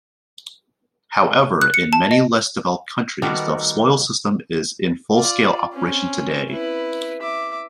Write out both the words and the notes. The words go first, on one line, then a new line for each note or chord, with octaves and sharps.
However, in many less developed countries, the spoils system is in full-scale operation today.
F#6
C#7
A5
D#5
D#3 G3 A3 B3 F#4 A#4
F4 D5
C4 C#4
E4 B4
E5 D6